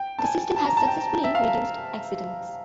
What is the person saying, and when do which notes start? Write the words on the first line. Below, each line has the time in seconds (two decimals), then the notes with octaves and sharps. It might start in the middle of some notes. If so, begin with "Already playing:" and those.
The system has successfully reduced accidents.
Already playing: G5
0.18 A5
0.24 G#5
0.56 A5
0.65 A#5
0.77 A5
0.87 G5
1.24 E5
1.35 F5